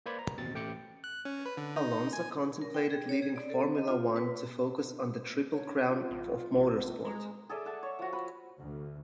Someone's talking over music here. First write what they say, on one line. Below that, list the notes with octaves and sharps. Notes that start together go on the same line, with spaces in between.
Alonso contemplated leaving Formula One to focus on the Triple Crown of Motorsport.
A#3 B4 C5 D5 B5 G#6
A#5
A1 D#2 B2 C4 A6
A1 A3 G5 D6 C#7
F#6
C#4
B4
D3
D#4
G#5
A#4
G5
G#4
C#5
G#4
D5
A4
C4
D#5
F4
B4
C#5
F4
A1
A1
G#3 A#5
G#4 A4 D5 E5
E5 F#5 A5
C#5
F3 F#4
B4 B5
D2